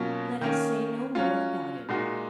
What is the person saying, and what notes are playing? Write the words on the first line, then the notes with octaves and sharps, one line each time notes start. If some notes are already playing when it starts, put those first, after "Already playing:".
Let us say no more about him.
Already playing: B2 F#3 A#3 C#4 F4
D#3 A#3 C#4
F#3 C#4 F4
A#2 G#3 D#4 F#4